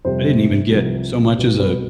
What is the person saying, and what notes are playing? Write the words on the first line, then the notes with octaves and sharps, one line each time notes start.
I didn't even get so much as a,
F2 C3 G3 C5
C2 C3 F3
C2 B2 G3
B4